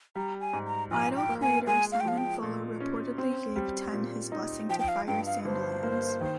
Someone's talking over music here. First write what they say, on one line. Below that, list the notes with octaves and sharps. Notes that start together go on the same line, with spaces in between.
Idol creator Simon Fuller reportedly gave Ten his blessing to fire Sandilands.
G3 A#5
G#5
G#2
A#5
A#1 G#5
G5
A#3
G#5
G#3 G#5
F5
G5
F3 F5
G5
A#2
C#4
C4
G3
A#2
D#4
F3 G5
G5
F5
G2 G5
F5
G1 C5
A#3
D#3